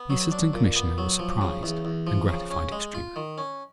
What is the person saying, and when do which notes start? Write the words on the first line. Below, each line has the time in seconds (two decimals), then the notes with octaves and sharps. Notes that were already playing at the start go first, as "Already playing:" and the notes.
The Assistant Commissioner was surprised and gratified extremely.
Already playing: B3
0.10 F#3
0.31 D4
0.53 A#2
0.76 B3
0.98 F#3
1.19 F3
1.41 C#3
1.63 E2
1.85 E2
2.07 F3
2.28 C#3
2.51 C#4
2.72 G#3
2.95 F4
3.16 D#3
3.38 C#4